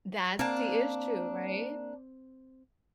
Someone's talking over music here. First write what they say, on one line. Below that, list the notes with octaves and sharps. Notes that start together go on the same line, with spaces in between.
That's the issue, right?
A#3 C4 D4 A5